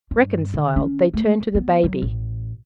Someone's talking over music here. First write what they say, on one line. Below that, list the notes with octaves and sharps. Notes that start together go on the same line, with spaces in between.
Reconciled, they turned to the baby.
G2
D3
C#4
A3
B3
F#3
A1